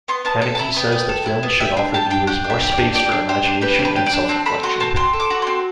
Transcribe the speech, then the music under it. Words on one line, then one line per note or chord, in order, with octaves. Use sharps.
Haneke says that films should offer viewers more space for imagination and self-reflection.
B3 C6
B3 A5
A4 A5
A5
E4 B5
B3 G5
B3
A4
E4
B3
G4 E5
D4
G4 A5
D4 G5
G4 F#5
D4
E5
G4
D5
D4
G4 D5
D4
G4 C5
D4
G4 B4
D4
B4
G4
D5
D4
C4 A5
A4 B5
F#4 C6
C4 A5
C4 C6
A4
D6
F#4
C4 C6